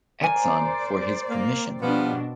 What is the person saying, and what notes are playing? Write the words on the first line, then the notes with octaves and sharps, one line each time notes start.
Exon for his permission.
A#4 C5 D5 G#5
A#3 C4
B2 F3 G3 B3 D4